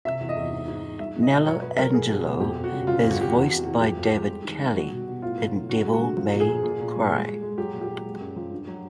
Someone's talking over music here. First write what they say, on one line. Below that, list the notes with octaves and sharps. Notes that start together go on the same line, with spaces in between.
Nelo Angelo is voiced by David Kelley in "Devil May Cry".
C3 E5
E2
D#5
E2
G#2
G#2
G#2
G3 E5
B2
D#5
B2
F#3 C#5
F#3 B4
F#3 A#4
B2 G#4
F#3
B2
F2 G4
F2
F#4
C#3
C#3 F4
F2
F#4
F2 G4
F#4
E2
E2
E2
F3 G4
F2
G4
G#3
G3
D#3
G3
G3 F#4
B2
B2
A2 F4
F#3
A2
D3 F#4
G#3
F#4
D3
F3
A#2
G#4
A#2
A#2
A#2
G3
G#3
G#3
G#3
F#3 G4
A#2
G4
F#3
G#3
F#2
F3
G2
F#3